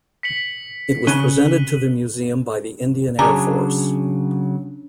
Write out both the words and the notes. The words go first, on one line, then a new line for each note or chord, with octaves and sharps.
It was presented to the museum by the Indian Air Force.
B6 C#7 F#7
C#3 F#6 D#7 G7
C#3 F#3 C#4 D4 G#4 A#5